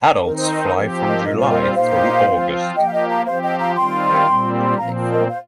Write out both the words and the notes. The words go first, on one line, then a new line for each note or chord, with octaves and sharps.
Adults fly from July through August.
D#3 C4 D#4 A#4
C5
A#4 D#5
C5
F3 C4 G4 A#4
C5
A#4 D#5
A#2 G3 C4 F4 A#4 D#5
C5
A#4 D#5
C5
A#2 A#3 D#4 G4 C5 F5
F3 C4 F4
F3 A#3 G4 D#5 G5
F5
D#5 G5
F5 A#5
F3 C4 G4 C5 F5
D#5 G5
F5 A#5
D#3 G3 C4 F4 G5 C6
A#2 G3 C4
C6
A#2 F3 C4 F5 A#5
A#4 D#5
C5 F5